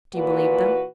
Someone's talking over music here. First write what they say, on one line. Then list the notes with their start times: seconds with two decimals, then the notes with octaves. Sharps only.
"Do you believe them?"
0.15 A#2 E3 F#4 B4